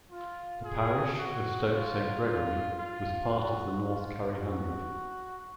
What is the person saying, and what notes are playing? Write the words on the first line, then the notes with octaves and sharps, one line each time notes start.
The parish of Stoke Saint Gregory was part of the North Curry Hundred.
F4
G#4
F#4
F4
F4
F4
F#4
F4
F#4